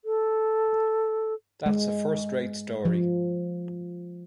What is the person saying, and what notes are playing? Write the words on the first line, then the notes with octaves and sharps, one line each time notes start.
That's a first-rate story.
A4
G#3
F3